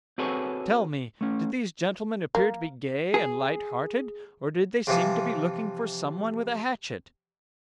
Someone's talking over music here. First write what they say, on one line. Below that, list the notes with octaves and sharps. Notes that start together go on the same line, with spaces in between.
"Tell me, did these gentlemen appear to be gay and light-hearted, or did they seem to be looking for someone with a hatchet?"
C4 F#4 G#4 A4 B4 C#5
A3 C#4
A#3
G#4
C3 E3 F3